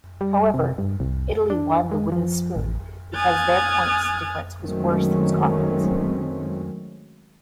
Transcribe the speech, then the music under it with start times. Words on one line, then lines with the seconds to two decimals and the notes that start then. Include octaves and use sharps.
However, Italy won the wooden spoon because their points difference was worse than Scotland's.
0.21 G3
0.54 C3
0.78 G2
1.00 C2
1.50 D4
1.91 G#3
2.12 F3
2.56 A1
3.15 G#5 D#6 F6 F#6 G#6 A6
4.64 D#3 F#3 G#3 A3 C4 C#4